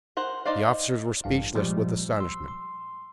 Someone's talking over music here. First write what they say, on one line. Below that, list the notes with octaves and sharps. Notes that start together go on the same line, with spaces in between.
The officers were speechless with astonishment.
A#4 C5 F#5
D#4 C5 D5 F5
A1 G2 F5
A#2 F3 G3 G#3
C6 E6
C6